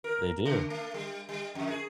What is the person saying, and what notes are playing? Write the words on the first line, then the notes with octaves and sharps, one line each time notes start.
They do.
A#4
C#3
A3
G3
G3
F2
G#4